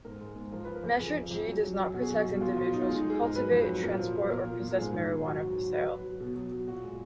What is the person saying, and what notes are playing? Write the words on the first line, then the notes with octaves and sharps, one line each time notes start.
Measure G does not protect individuals who cultivate, transport or possess marijuana for sale.
G#2 A#4
G#3
G#2
F3 A#4
F3 B4
A#4
F2
F2 G#4
F2
F2
F#3
F#3
F#2
B2 F#4
G#4
F#3 F#4
B2
B2 F4
F#3 F4
B2 D#4
F4
G#3 D#4
G#3 G#4
G#2 A#4
F#3 B4
F2
F#3
A#2 A#4
F3
F3
A#2 A#4
A#2
A#2
A#4
G#2 G#4
D#3
G#2
F#3 F#4
F#3
F#3
F#3 B4
F#3
F#3
B2
F#3
F#3
A#2 F#4
G#3